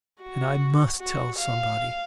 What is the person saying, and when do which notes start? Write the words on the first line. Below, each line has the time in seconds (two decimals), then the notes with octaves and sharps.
And I MUST tell somebody!
0.21 F#4
1.00 F#4
1.38 F5